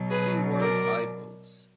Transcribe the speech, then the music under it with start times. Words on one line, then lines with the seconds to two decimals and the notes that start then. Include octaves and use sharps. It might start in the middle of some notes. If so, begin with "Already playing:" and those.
She wears high boots.
Already playing: B2 F#3
0.10 G#4 B4
0.59 A#4 D5